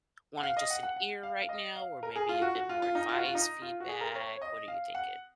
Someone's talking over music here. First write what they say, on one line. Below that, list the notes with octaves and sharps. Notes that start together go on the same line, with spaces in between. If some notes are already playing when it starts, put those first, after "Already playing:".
wanting just an ear right now or maybe a bit more advice, feedback? What are you thinking?
F#5
F5
D#5
F#5
F#5
F#5
F5
F5
D#5
F5
A#4
G#4
F4
F#4
F#4
F4
F4
D#4
F4
F#4
F4
D#4
F4
F#4
G#4
A#4
C#5
C#5
D#5
F5
F#5